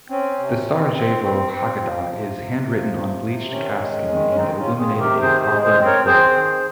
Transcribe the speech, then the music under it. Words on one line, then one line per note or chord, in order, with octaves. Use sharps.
The Sarajevo Haggadah is handwritten on bleached calfskin and illuminated in copper and gold.
C4 C#4
C3
C4
C4
C4
C4
F3
C3
C3
F3
C3
C3
D#3 C#4
G#3
D#3
C#4
D#3 C4 D#4
C#4 F4
D#3
F4 G#4
C3
G4 A#4
D#3 G#4 C5
G#4 C5
G#3
G#4 C5
C4
A#4 C#5
C4 G#4 C5
D#3